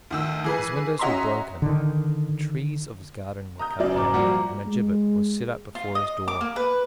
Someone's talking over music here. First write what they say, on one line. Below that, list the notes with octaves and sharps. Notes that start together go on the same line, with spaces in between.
His windows were broken; the trees of his garden were cut down; and a gibbet was set up before his door.
D2 D#3 E6
E3 G#4 B4
C#4 F#4 D#5 E5 A#5 C6
D3 D#3
A#5 D#6 G6
F#1 F#2 F#3 E4 D5
G#2 A#5 D6
A#2 F3 G3 A#3 F#4
G#3
F4
D#5
D6
A#3
B4